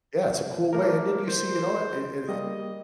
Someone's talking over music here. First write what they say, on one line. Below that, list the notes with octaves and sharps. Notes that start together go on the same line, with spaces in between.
yeah, it's a cool way and then you see you know what? Eh eh
A3 A#3 A#4
C5
G3 A#3 D#5